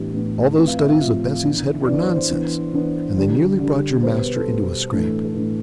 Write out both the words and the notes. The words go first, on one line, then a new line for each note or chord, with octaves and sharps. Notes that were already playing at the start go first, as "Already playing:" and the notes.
All those studies of Bessie's head were nonsense, and they nearly brought your master into a scrape.
Already playing: A2 E3 B3 D4 G4
A2 E3 B3 D4
A2 F3 C4 B4
F5
E5
F5
A2 F3 C4 E5
E3 B3 D4
E3 B3 D4 D5
C5
C5
E3 B3 D4
E3 B3 D4
D3 G3 D4
D3 G3 D4
B2 G3 B3 C5
B4
B4
A4
B2 G3 B3
A2 E3 A3 D4
A4
A2 E3 A3 D4 B4